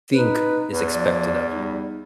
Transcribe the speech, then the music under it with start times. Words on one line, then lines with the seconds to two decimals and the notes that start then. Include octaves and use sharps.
think is expected of you.
0.13 D#4 B4
0.71 E2 B4
0.89 F3 D5
1.52 G3 D#4